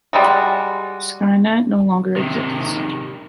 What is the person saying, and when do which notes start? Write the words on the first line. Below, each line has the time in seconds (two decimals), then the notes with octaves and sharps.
Skynet no longer exists.
0.13 G3 G#3 F#4
2.16 C3 D#3